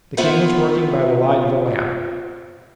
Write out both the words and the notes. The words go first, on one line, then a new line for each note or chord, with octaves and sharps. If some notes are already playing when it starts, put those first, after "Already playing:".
The king was working by the light of a lamp.
B3 F4 C5 C#5 E5 F#5